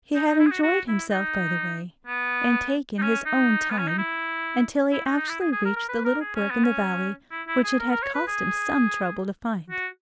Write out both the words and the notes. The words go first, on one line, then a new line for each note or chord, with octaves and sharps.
He had enjoyed himself by the way, and taken his own time, until he actually reached the little brook in the valley which it had cost him some trouble to find.
D#4
D#4
E4
G#4
F#4
F#4
E4
D#4
B3
D#4
C#4
D#4
B3
C#4
D#4
E4
E4
D#4
D#4
E4
G#4
G#4
A#4
A#4
B4
A#4
G#4
C#4
B3
C#4
E4
E4
G#4
A#4
A#4
C#5
B4
G#4
F#4